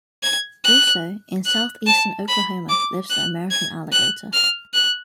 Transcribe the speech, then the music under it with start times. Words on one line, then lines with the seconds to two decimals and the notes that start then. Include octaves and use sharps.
Also, in southeastern Oklahoma lives the American alligator.
0.23 G#6
0.64 F#6
1.46 F#6
1.87 A5
2.28 B5
2.69 D6
3.10 F#6
3.51 G#6
3.92 F#6
4.33 F6
4.74 F#6